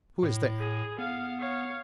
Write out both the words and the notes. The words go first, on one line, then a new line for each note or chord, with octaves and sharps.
"Who is there?"
A2
G#4
B3 F5
C#5 F5